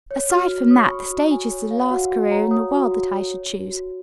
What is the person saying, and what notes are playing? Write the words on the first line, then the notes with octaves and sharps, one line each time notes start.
Aside from that, the stage is the last career in the world that I should choose.
C#5
F#4 F6
F#4
C#5 D#6
C#6
C#5 B5
F#4
F#4 G#5
C#5
C#5 F5
F#4 F#5
F#4
C#5 A#5
C#5 D#6
F#4
F#4
C#5
C#5
F#4
F#4